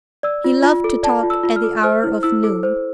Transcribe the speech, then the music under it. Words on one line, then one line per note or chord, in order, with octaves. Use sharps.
He loved to talk at the hour of noon.
D5 E6
F4
F4
A4
D5 A5
F4
E6
F4
F6
A4
C5 F6
E4
E4 E6
A4
C5